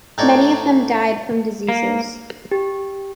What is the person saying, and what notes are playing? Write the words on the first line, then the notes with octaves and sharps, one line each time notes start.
Many of them died from diseases.
A2 D#4 C#5 D5
A#3
G4